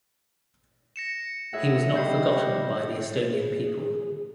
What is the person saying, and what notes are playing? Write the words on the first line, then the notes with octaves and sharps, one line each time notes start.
He was not forgotten by the Estonian people.
A#6 C#7 E7
A2 G#4 E5 F#5
D#3 G3 B3 G6 C7
G#4